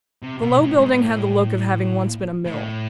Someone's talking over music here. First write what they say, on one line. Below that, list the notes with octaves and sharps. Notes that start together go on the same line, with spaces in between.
The low building had the look of having once been a mill.
C3
B2
A2
G#2
G#2
A2
A2